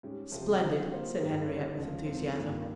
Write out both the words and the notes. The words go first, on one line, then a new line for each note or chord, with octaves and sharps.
"Splendid!" said Henriette, with enthusiasm.
G#2 G3 C#4 G4
C3 F3 C4 G4
G3 C4 F4
G3 A#3 F4 C5
G2 D#3 G#3 D#4 G4
G3 C#4 G4 C#5
C#2 C#3 F3
G#2 F3 C4
G2 D#3 A#3 F4